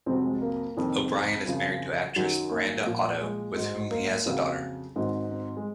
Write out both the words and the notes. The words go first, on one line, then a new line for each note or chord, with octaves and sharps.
O'Brien is married to actress Miranda Otto, with whom he has a daughter.
F2 C3 F#3 C4
G#3
A#3
F2 C3 D#3
C4
F#2 C#3 F3
F#2 D#3 F#3
A#3
A#2 F3
G#3
G#2 F#3
A#3
F2 C#3 F#3
G#2 D#3 F#3 C4
C4
G#3